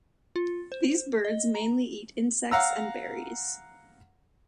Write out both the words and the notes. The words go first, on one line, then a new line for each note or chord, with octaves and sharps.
These birds mainly eat insects and berries.
F4
C5
D#5
A#5
F5 F#5 A#5 E6